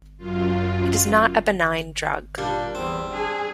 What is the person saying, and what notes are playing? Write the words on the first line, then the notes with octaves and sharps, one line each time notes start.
It is not a benign drug.
F#2 F4
A#2 G3 D4
E2 C4
D4 G#4